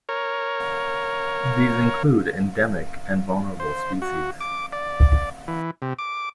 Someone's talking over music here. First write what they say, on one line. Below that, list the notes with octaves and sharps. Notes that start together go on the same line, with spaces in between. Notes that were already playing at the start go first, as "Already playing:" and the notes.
These include endemic and vulnerable species.
A#4 C#5
C5
F#4
D6
D5
E3
C3
D6